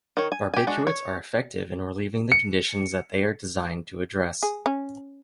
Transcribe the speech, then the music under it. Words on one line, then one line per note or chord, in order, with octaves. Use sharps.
Barbiturates are effective in relieving the conditions that they are designed to address.
D#3 C#5
G#5
G4 G#5
G#3 D4 F#4
C#5
C#7
G#4
C#4